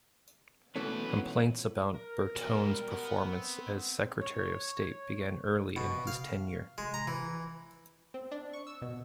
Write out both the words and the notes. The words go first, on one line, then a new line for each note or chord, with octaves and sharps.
Complaints about Bertone's performance as secretary of state began early in his tenure.
E3 F#3 A3 B3 C#4 B4
A#4
B2 G3
B3
C4
C#5
B2
F5
G#3
A#5
E3
C4
D4
C#6
E6
B2